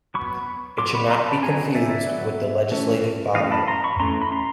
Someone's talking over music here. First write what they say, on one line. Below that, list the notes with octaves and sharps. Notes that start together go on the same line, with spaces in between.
It should not be confused with the Legislative body.
F#3 B3 B5 C#6
F#3 B3 C6 D6
B5 C#6
A#5 C6
A5 B5
F#3 B3 G#5 A#5
D5 E5
F#3 B3
E3 A3 C#4
E3 A3 C#4 D#5 F5
A5 B5
A#5 C6
B5 C#6
E3 A3 C#4 A#5 C6
B5
A#5 C6